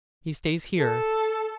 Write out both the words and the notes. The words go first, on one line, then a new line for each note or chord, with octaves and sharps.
He stays here.
A4